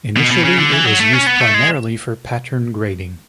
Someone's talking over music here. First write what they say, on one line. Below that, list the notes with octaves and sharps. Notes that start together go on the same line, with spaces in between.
Initially it was used primarily for pattern grading.
B2
B2
C#3
D3
E3
F#3
A3
C#4
B3
A3
G#3